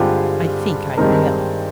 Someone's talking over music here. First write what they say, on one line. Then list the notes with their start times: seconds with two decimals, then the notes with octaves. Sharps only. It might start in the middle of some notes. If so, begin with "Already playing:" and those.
I think I will.
Already playing: G2 D3 G#3 C4 F4 G4
0.97 G2 D#3 G#3 C4 D#4 A#4